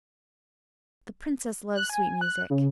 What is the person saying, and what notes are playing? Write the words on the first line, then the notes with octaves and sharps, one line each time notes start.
"The Princess loves sweet music."
F#6
G#5
F#6
C#3